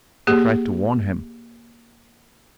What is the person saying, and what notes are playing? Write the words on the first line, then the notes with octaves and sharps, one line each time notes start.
"I tried to warn him."
A#3 G4 G#4